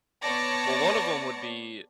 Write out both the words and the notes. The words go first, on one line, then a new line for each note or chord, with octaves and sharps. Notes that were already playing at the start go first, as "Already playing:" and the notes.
Well, one of 'em would be,
B3 C#5 D5 A5 A#6 C#7